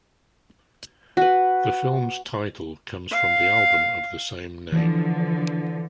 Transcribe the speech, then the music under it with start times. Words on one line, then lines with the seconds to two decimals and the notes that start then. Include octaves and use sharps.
The film's title comes from the album of the same name.
1.17 F#4 B4
3.12 F5
4.72 D3 E3 F3